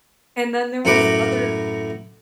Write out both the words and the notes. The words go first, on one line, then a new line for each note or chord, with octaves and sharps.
and then there was other
F#2 A2 F#3 B4 B5 D6